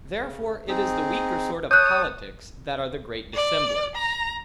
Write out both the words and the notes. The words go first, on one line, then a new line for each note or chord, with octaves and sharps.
Therefore it is the weaker sort of politics, that are the great dissemblers.
C#3
C4 D#4 G#4
C#5 A5 D#6 F#6 G6
D5
A#5